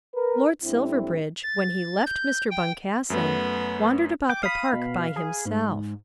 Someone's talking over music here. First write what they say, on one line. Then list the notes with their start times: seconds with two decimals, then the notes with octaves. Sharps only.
Lord Silverbridge, when he left Mr. Boncassen, wandered about the park by himself.
0.15 A#4 B4
0.63 A2 G3 C4 D4 E4
1.43 A6
2.06 G6
2.51 G5
3.10 F#2 A3 B3
4.30 G5 D6
4.43 F5 B5 D#6
4.73 B2
5.16 G#4
5.46 G#2